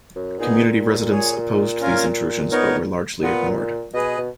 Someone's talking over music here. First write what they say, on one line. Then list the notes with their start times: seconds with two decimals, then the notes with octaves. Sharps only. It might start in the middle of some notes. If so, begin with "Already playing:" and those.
Community residents opposed these intrusions but were largely ignored.
0.16 F#2
0.39 A#2 B3 D#4 G#4
1.10 G#4 C#5 G#5
1.81 C#4 F4 A#4 F5 G#5
2.51 B3 D#4 A#4 C#5
3.22 A#2 B3 F4 B4 F#5
3.93 B2 G#4 B4 D#5
4.18 B2